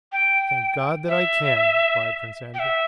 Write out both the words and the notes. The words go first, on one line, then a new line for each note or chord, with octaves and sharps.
"Thank God that I can," replied Prince Andrew.
G5
E5
G5
E5